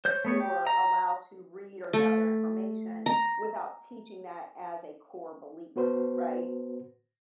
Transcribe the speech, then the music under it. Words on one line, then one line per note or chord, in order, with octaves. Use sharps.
or allow to read or gather information without teaching that as a core belief right?
C5 C#5 G6
A3 B3 C#5
G4
A#5
A3
A#5
B3 F#4 B4 C5